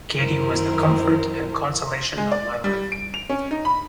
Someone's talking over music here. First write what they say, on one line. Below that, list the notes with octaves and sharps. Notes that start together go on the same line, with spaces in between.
Katie was the comfort and consolation of my life.
F#2 D#3 E4 A#4 C5
G#3
D5
G3
D7
F7
C#4
D#4
B5